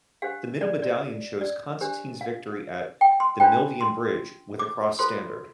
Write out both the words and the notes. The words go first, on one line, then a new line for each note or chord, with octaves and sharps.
The middle medallion shows Constantine's victory at the Milvian bridge, with a cross standard.
D4 G4 C5 F5
D5
D5
D5
D4 G4 C5
F5
G5
C6
D4 F4 C5 G5
C6
D6
F4 A4 C5 C6